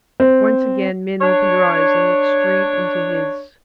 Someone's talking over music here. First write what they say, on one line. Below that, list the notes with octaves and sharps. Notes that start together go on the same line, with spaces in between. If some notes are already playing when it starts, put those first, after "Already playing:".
Once again Min opened her eyes and looked straight into his.
C4
D4 C#5